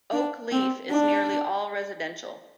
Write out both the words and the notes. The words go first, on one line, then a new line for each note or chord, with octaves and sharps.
Oak Leaf is nearly all residential.
D4
C4
D4